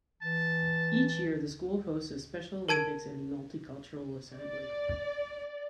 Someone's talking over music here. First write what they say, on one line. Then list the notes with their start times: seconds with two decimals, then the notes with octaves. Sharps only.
Each year, the school hosts a Special Olympics and a Multicultural Assembly.
0.23 E3 A5
2.69 A#4 A5 G#6 D7
4.36 D5